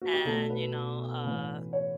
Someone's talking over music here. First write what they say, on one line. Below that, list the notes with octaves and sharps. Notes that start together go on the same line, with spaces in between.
and, you know, uh,
F#4
G4
B1 B2 A3 A4
B4
A1 A2 E3
C#5